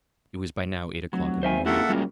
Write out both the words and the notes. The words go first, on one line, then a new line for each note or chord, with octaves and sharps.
It was by now eight o'clock in the morning.
F1 F#3
G#1 D#3 C5 E5 G#5
A#2 C#3 A#3 E4 G4 A4 E5 F#5
C#2 F#3 G3 C#4